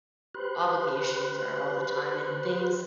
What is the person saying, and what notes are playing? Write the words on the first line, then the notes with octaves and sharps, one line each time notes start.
Obligations are all the time, and things
G4 B4 C5 B5 C6 F#6